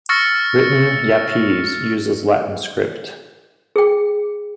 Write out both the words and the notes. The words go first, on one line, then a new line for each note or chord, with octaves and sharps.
Written Yapese uses Latin script.
C#6 E6 F6 A6 A#6 C#7
G#4 G5